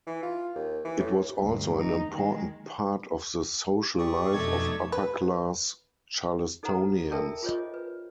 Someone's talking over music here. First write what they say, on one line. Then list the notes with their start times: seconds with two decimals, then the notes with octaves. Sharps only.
It was also an important part of the social life of upper-class Charlestonians.
0.07 E3
0.23 F4
0.55 D#2
0.85 E3
1.00 A2
1.41 D2 G2
1.78 D#4
2.11 D#3 G#3
3.99 G4 D5 C#6 D#6
4.33 F2 B2 A3 D#4 A4 G#6
4.92 B4
6.63 D#4 A4 B4 C5 F#5 A#5
7.12 A4 A#4 D5 E5 G5 A5
7.43 F4 G#4 C5 C#5 D#5
7.74 B4